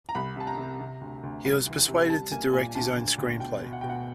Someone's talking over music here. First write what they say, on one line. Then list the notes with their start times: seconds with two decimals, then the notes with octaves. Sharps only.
He was persuaded to direct his own screenplay.
0.09 A#5
0.15 C2 B5
0.36 C3 A5
0.47 A#5
0.58 C3
0.80 C3
1.01 D2
1.23 D2
1.45 C2
1.66 E3
1.88 C3
2.10 G3 A5
2.32 A#3 G#5
2.53 A#2 G#5
2.75 D2 A5
2.97 D2
3.18 D2
3.40 B2 G5
3.62 B2
3.73 F#5
3.81 B2 G5
3.90 F#5